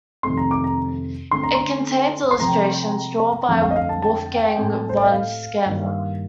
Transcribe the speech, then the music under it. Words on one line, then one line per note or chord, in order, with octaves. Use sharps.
It contains illustrations drawn by Wolfgang vom Schemm.
F2 C3 D#3 A3 C4 C6
A#5
D6
A#5
D3 A3 C4 C6
A#5
C6
C6
C3 F3 A3 C4 A#5
F2 D3 F3 A3 C4 A5
F5
D#5
F5
A5
A5
A2 A3 C4
C5
D5
D#5
F5
G2 D#3 G3 A#3